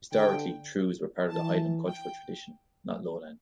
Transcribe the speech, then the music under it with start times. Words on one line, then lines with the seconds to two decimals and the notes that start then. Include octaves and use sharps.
Historically trews were part of the Highland cultural tradition, not Lowland.
0.12 D3 G5
1.29 E3 A5
1.88 G5